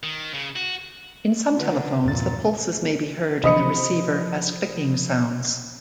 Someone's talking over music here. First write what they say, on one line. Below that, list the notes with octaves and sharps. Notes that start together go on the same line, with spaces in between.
In some telephones, the pulses may be heard in the receiver as clicking sounds.
D#3
C#3
F#4
D3 F4 B4
E2 G2 A#2 E3 A6
C3 E3 F3 C5 D#5 B5 D#6 C#7